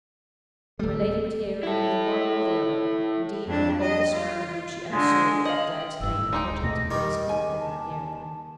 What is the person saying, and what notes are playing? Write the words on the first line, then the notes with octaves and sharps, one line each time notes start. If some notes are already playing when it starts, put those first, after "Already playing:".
My lady would hear of neither one nor the other: indeed, not the boldest man whom she ever saw would have dared to name the project of a day-school within her hearing.
D1 E3 G3 A3 A4
E4 A4
F2 D4
D#5
F4
D3 G#3
D#5 F5 F#7
G5
F1 G2 E6
A2
D1 G#3 D#4 G5 D6
E2 B2 A3 A#6
D#3 G3 D#5
D#2 G#5
A5